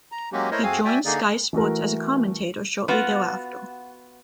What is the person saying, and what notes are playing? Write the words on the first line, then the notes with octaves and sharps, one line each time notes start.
He joined Sky Sports as a commentator shortly thereafter.
A#5
F#3 G#3 A#3 C#4 F#4 G4
A3 E4 A#4 C5 C#5 D#5
F2 C4 F#4 G#4 F5 G#5
F#4 D5 E5 G5 G#5
D3 A#3 D#4 G#4 D5
E3 A3 F#4 A#4
B3 F4 F#4